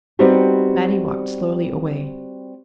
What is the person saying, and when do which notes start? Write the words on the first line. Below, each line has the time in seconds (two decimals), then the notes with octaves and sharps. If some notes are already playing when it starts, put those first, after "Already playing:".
Mattie walked slowly away.
0.19 G3 B3 C4 D#4 F#4 G4